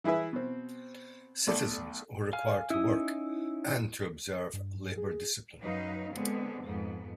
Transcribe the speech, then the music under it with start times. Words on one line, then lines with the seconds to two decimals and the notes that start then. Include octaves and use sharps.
Citizens were required to work and to observe labor discipline.
0.04 E3 E4 G#4 B4 E5
0.33 B2 C4
1.47 B1 A3 D5
2.33 F5 G#5 F6
2.70 C#4 D#4 E4 D#6
4.53 G2
4.98 G#4
5.60 F#2 F#3 D#4 B4 F5
6.13 D3 G#3 B3 C4
6.64 F2 G#2 B3